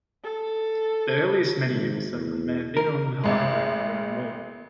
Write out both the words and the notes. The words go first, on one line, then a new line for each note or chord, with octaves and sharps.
The earliest medieval settlement may have been on the higher ground around Wall.
A4
G#1
E2
A#4
A1 G#3